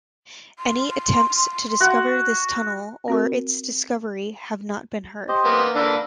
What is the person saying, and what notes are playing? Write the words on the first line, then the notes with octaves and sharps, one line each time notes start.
Any attempts to discover this tunnel or its discovery have not been heard.
C6
F#4
C4 F#4 A#4
G4 C5 D#5
A#3 B3
D3 A#3 D4 A4 B4